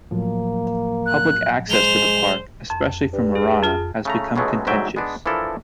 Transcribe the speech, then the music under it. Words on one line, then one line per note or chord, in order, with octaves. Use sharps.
Public access to the Park, especially from Marana, has become contentious.
A2 F3 F#3 A#3
F#6
G#3 C5 F7 G7
F2
G2
G#4
F2 F4
C#3 A3 A#5
C#2 B2 F#3 G#3 A3
D2 G#2 F#3 E5 G5
G#3 B3 D4
E3 F3 D4 E4 A4 A#4